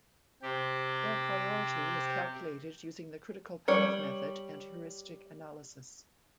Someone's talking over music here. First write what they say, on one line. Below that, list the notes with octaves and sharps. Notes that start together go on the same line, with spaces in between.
Their priority is calculated using the Critical path method and heuristic analysis.
C3 G4
G3 C#5